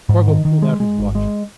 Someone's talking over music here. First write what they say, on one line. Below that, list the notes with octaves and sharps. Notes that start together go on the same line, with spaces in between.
Spargo pulled out his watch.
G#2
D#3
D#3
G#3
G#3
G#1
G#3